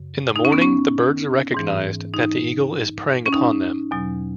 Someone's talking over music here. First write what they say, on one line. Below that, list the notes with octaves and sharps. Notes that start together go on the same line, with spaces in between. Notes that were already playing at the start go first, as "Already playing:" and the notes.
In the morning the birds recognized that the eagle is preying upon them.
Already playing: F#2 C#3
D#4
C#4
B3
C#4
G#2 E3
D#4
C#4
D#4
E2 B2 F#3